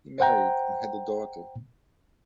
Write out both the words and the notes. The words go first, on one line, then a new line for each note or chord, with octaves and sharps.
He married and had a daughter.
C5 F#5 G5 A#5